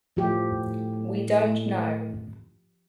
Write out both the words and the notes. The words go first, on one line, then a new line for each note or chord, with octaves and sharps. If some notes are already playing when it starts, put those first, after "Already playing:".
We don't know.
A2 F3 G4